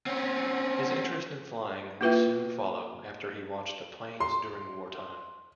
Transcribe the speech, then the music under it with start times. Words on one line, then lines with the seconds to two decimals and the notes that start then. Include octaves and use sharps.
His interest in flying would soon follow after he watched the planes during wartime.
0.06 C4 C#4
2.01 A#3 E4 F4 B4 E5 G5
4.20 C6